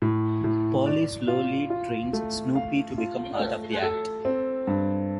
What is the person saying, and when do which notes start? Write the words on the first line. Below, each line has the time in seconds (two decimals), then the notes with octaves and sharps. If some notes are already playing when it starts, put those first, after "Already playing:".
Polly slowly trains Snoopy to become part of the act.
0.02 A2
0.44 A2
0.86 D5
1.28 F4
1.70 F4
2.13 A3
2.55 F5
2.98 F4
3.39 A3
3.83 A4
4.25 C4
4.67 G2